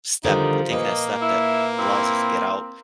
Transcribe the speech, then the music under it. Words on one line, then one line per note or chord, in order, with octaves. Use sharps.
step we take that step that allows us to get out,
D3 D#3 F3 G3 D#4
A#2 A#3 B4 D#5
E4 E5
C4 E4